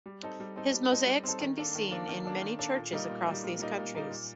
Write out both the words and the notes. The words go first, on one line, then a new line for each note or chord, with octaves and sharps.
His mosaics can be seen in many churches across these countries.
G3
C4 D#4 A4
G3
C4 D#4 A4
G3
C4 D#4 A4
G3
C4 D#4 A4
D#3
A#3 D4 A4
D#3
A#3 D4 A4
D#3
A#3 D4 A4
D#3
A#3 D4 A4
A#2
G3 A#3 D#4
A#2
G3 A#3 D#4
A#2
G3 A#3 D#4
A#2
G3 A#3 D#4
A#2